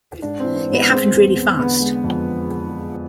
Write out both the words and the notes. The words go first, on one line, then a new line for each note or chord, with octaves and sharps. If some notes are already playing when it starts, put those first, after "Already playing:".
It happened really fast.
G#2 D4
E3 C4
C4
G#2
B3
G#3 C4
E2
E2
D3 B3
G#3
F2